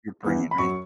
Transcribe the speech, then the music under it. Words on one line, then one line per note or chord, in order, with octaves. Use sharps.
your brain, right?
E2 E3
B5
F#2 F#3 C#6